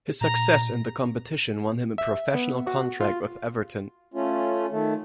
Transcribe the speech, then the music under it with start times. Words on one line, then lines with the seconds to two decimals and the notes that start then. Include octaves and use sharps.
His success in the competition won him a professional contract with Everton.
0.21 A#2 A#5
1.98 E5
2.35 B3
2.67 F#4
3.01 F4
4.14 A3 C#4 F4
4.71 D#3 A3